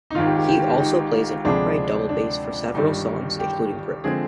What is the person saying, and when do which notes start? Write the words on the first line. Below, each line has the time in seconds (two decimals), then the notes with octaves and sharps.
He also plays an upright double bass for several songs, including "Brick".
0.11 D#4
0.15 G#1 G#2 D#3 F4
0.26 G4
0.37 G4
0.48 G4
0.70 G4
0.80 D#4
1.45 D2 C3 F3 G#3 D4
2.09 D4
2.74 G1 G2 D#3 G3 D#4
3.39 G4
4.04 D3 F3 G#3 C4 G#4